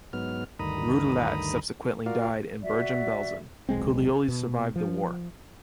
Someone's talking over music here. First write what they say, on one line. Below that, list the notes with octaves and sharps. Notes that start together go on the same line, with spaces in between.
Rudellat subsequently died in Bergen-Belsen; Culioli survived the war.
G#2 F#3 B3 F6
D2 G2 D#3 A#5 B5 D#6
F4 F#4 A#4 D5 F5
F#4 D5 E5
D#1 B1 G#3 C4
B2
F3